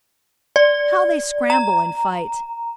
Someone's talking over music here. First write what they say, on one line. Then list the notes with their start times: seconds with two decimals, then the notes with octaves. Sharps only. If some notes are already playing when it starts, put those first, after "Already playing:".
How they scramble and fight!
0.56 D5
1.50 A#5